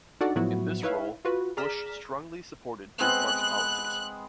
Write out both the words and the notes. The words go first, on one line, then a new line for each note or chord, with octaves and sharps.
In this roll, Busch strongly supported Bismarck's policies.
D4 D#4 F#4 A4 D5 F#5
A2 F3 F#3 B3 E4 F#4
D#4 E4 B4 C#5 E5 F5
F4 F#4 B4
G#4 D5 A#5 F6 B6 E7
G#3 B3 C4 F#6